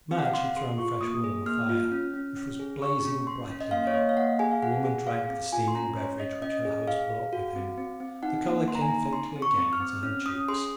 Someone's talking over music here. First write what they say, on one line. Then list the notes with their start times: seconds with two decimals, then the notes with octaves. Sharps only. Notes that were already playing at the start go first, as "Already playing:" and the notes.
Madge had thrown fresh wood on the fire, which was blazing brightly now. The woman drank the steaming beverage which her host brought with him. The colour came faintly again into her cheeks.
0.11 C4 F5
0.19 F#5
0.25 F5
0.33 C4 C6
0.56 G#4 C6
0.78 F4 C#6
1.01 A#3 D#6
1.24 G#4
1.46 A#3 F6
1.69 F4
1.92 C#4
2.14 C#4
2.37 C#4
2.60 G#4
2.82 G#4 C#6
3.05 C#4
3.27 C#4 C6
3.50 C#4
3.61 D#5
3.71 A#3 F5
3.87 C#5
3.94 A#3 D#5
4.09 F5
4.17 A#3 F#5
4.39 G#4 G#5
4.51 F5
4.63 G#4 F#5
4.85 G#4
5.07 G#4 F5
5.29 C4
5.52 F4 G#5
5.68 C6
5.74 C#4 A#5
5.97 C#4 C#5
6.19 C#4 D#5
6.42 C#4 D#5
6.65 G#4
6.88 G#4 F5
7.10 G#4
7.33 F#4
7.56 C4
7.78 C4
8.00 C4
8.23 D#4 F#5
8.46 A#3
8.68 A#3 C6
8.75 A#5
8.81 G#5
8.89 D#4 A#5
9.13 C4 C6
9.36 C4
9.42 C#6
9.58 C4
9.73 F6
9.80 C4
10.03 C#4 F6
10.26 C#4 D#6
10.48 G#4 C6